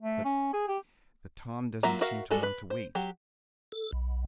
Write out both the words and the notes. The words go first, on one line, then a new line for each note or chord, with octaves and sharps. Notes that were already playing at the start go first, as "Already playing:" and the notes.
But--but Tom doesn't seem to want to wait.
A3
C#4
G#4
G4
F#3 A#3 F4 E5 A#5
F#4 A#4 E5 F5
G3 G#3 F#4 A4
B4
C5
F#3 G4
A4
B1